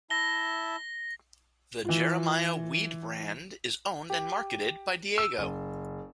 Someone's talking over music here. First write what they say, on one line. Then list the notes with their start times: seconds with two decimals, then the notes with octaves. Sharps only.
The Jeremiah Weed brand is owned and marketed by Diageo.
0.10 E4 E5 A5 A#6 G7
1.85 E3 F4
4.10 G4
5.18 E6
5.38 F#1